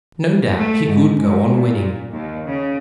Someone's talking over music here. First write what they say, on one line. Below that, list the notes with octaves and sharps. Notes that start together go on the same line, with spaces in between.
No doubt he could go on winning.
A3
G#2
G#2
A#2
D#2
C#3